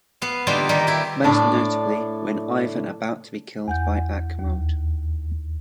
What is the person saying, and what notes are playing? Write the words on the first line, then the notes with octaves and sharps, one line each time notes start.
Most notably, when Ivan about to be killed by Achmode.
B3 F5
D3 G3 A#3 D#4 F4 E5
D#3 G3 A#4
E4 G4
A2 D4 D5
E2 F#5 G6
D#2